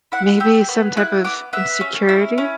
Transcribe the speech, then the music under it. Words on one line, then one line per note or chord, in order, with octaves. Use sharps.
maybe some type of insecurity.
E4 F#5
G4 E6
B3
E4 F#6
B3 D6
B3 E5
C#4
E4
C#4